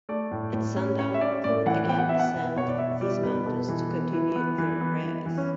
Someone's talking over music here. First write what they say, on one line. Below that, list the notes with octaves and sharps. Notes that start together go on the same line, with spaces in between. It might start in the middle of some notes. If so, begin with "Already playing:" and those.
At sundown, they would again ascend these mountain to continue their prayers.
A3 D5
A2
A2
C#4
C#4 C#5
E5
C#4 D5
A2 D5
E3 F#5
B3 G5
F#5
B3 E5
F#5
B2
B2 C#5
D5
B2 E5
G3 D5
B2 B4
B2 A4
E3
B3
E3
B3
E3
B3
E3
E3
C#4